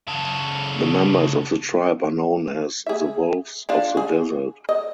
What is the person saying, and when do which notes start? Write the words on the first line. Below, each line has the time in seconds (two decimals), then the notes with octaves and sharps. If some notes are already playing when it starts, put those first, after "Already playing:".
The members of the tribe are known as "the wolves of the desert".
0.08 C#3 A4
2.86 G#4 E5
3.69 F3 D4 F4
3.97 G#4
4.69 D#5